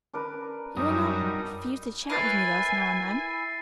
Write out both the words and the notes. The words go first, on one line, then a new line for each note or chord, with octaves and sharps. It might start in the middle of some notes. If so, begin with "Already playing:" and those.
"You will not refuse to chat with me thus now and then?"
D4 A#4 B4
F#2 G3 D#4 D#6
E4 A#4 B4 C#5 G#5 A6 C7 D#7